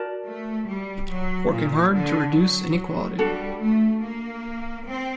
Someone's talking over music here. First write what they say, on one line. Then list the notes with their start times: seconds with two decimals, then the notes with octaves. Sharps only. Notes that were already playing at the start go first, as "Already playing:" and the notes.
Working hard to reduce inequality.
Already playing: F#4 A#4 D5 A5
0.25 A3
0.67 G3
1.09 F#3
1.51 A#2
1.93 D3
2.35 F#3
3.18 G3 D4 F#4 A4
3.60 A3
4.02 A#3
4.86 C4